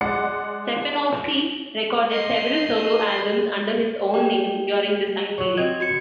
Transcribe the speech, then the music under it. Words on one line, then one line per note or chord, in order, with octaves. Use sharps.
Stefanovski recorded several solo albums under his own name during this time period.
G#3 D5 F#5 C#7
D#5 C6
A#3 G5
F#3 C#5
C4 D#5 G#6
F#4 G#6 C#7